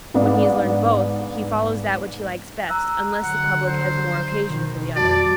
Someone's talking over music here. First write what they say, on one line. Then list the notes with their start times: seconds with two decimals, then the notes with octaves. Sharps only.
When he has learned both, he follows that which he likes best, unless the public has more occasion for the other.
0.14 G#2 B3 D4 F5
2.68 A#5 E6 F#6
3.23 D3 F#3 F#5
3.66 C5
4.46 B2 D#3
4.96 F2 G3 F#4 D5 A5